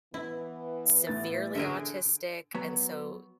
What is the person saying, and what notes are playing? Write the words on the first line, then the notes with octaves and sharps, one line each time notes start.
severely autistic, and so,
E3 B3 E4
A2 A6
D3 G#4 A#4 E5 D7
F#3 B3